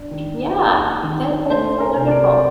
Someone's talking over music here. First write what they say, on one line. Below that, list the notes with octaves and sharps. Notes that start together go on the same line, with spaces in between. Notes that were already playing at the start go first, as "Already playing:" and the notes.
Yeah, that that's so wonderful.
Already playing: D4
D#3
A#3
D#3
A3 C5
A#4
C3
A#4 D5